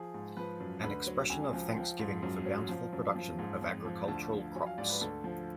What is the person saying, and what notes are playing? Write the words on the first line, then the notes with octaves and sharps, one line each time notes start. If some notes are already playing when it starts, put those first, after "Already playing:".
An expression of thanksgiving for bountiful production of agricultural crops.
Already playing: F3 G#4
G#2
F3 B4
F#2
D2 B4
F#3
C#2 G#5
F3
F3
G#2
F#2
F#3
F3
F#2
F3
G#2
F2
F3
D2 A5
F3
F#3 G#5
F5
G#2 D5
B4
D2 A4
F3